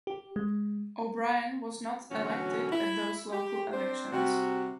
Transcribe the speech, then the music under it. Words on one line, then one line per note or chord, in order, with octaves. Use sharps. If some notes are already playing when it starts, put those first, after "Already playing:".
O'Brien was not elected at those local elections.
G4
G#3
D2 B2 E3 F#3 C#4 F#4
E4
G4
C4 D4 C5
C3 G3 F#4